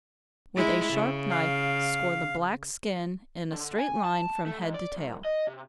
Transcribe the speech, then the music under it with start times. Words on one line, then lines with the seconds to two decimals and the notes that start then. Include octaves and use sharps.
With a sharp knife score the black skin in a straight line from head to tail.
0.56 G#3 E4
0.92 C#3
1.31 F5
3.52 D3
3.78 G#5
4.04 A5
4.47 A3
4.61 G#2
4.74 D5
4.96 C2
5.25 D#5
5.47 C3